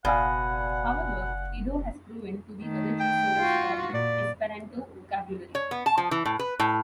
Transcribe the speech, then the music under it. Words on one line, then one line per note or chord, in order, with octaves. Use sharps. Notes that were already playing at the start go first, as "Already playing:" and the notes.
However, Ido has proven to be a rich source of Esperanto vocabulary.
F#1 B2 D5 F5 F#5 G#5
D#3 A3
G5
F4 F#4
A#2 D5
C#5
B3
A5
F3
E3
A2
B4
A2